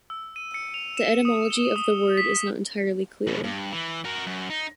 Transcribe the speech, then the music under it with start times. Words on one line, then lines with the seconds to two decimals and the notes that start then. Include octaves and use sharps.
The etymology of the word is not entirely clear.
0.10 E6
0.36 D#7
0.54 C#7
0.74 F7
0.97 E7
1.25 D#6
1.51 G7
1.76 D#6
2.17 B6
3.27 F2 B2
3.44 G2
3.72 E3
4.05 F#4 A#4
4.27 F#2
4.50 D#4